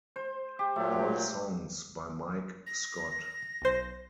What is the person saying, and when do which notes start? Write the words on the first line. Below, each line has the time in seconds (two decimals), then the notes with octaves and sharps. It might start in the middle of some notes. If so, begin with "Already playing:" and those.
All songs by Mike Scott.
0.16 C5
0.59 G4
0.76 A#2 F#3 A3
2.67 A#6
3.62 B1 C5